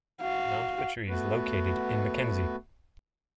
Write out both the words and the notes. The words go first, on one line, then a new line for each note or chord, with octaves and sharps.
Mount Petrie is located in Mackenzie.
F#4 F5
A3 B3 F#4 B4